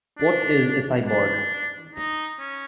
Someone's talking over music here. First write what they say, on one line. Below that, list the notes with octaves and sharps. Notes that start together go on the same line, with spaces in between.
What is a cyborg?
D4
D4
D#4
C#4